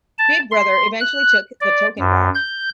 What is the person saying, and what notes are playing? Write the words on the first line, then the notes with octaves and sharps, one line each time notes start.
Big Brother eventually took the token back.
A5
C6
F#6
D5
F#2
G6